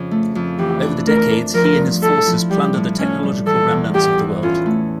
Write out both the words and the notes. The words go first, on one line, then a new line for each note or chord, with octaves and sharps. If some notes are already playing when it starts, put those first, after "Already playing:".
Over the decades he and his forces plunder the technological remnants of the world.
Already playing: F2 C#3 C#4 F4
A3
F2
E3 G4
D4
A3 A#4
D4
F3 A#4
G2
E4 A4
F3
G3 G4
A2
A2 C#4
G3
E3 A4
E2
E2 G4
E3
C#4 F4
A3